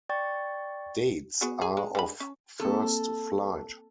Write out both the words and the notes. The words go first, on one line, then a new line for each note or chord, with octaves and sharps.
Dates are of first flight.
D5 G5 C#6 A6
B3 F#4 G#4
G#4
G#3
D3 G#3 B5
C#4
A#3 C4 G#4 A4